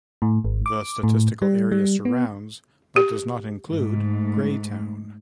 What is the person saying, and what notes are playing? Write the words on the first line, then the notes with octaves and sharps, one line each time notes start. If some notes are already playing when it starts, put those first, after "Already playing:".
The statistical area surrounds but does not include Greytown.
A2
G#1
D6
A2
G3
G3
B3
G4
G#2 A3